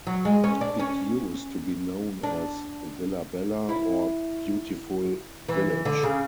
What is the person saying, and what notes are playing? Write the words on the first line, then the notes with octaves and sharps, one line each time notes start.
It used to be known as "Villa Bella" or "Beautiful Village".
F#3
G#3
C#4
D4
C#4
D4
E4
E3
D3
C#3